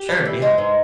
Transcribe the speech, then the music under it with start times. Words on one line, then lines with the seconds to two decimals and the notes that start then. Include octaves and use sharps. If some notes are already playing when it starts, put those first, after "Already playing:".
Sure, yeah.
Already playing: G4
0.09 G3
0.25 E3
0.42 G#3
0.58 G#2